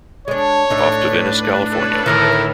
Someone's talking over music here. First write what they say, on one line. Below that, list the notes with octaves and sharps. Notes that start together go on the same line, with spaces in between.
Off to Venice, California.
G#3 D4 C#5
A2 A3 D4 D#4
B4
A4 B4 C#5
A2 D3 D#3 E4 A#4